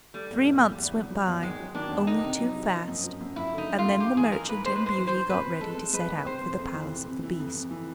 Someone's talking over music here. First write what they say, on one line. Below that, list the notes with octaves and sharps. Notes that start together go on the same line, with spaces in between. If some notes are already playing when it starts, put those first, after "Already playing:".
Three months went by, only too fast, and then the merchant and Beauty got ready to set out for the palace of the beast.
G3 A3
E2
E2
E2
E2
F#3
F#3
E2
D#3 G#3
F#3
D#3 D4
E2
D#3 D#4
C3
F#3
C3
F3
F#2
F3
F#2
F#2 E4
D3
D#4
D3
F4
F#2
G#2 G4
E3 G#4
G#3 A#4
G#2 B4
G#3 C5
B4
G#2
C5
E3
C5
G#2
C3 B4
C3
G#3 A4
G#3
G#3 B4
D#3
C3 C5
C3
F2
E3
C3
C3
E3
F2
F2
E3